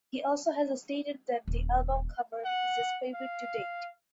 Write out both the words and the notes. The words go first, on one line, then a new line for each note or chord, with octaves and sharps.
He also has stated that the album cover is his favorite to date.
D#1
F#5
F5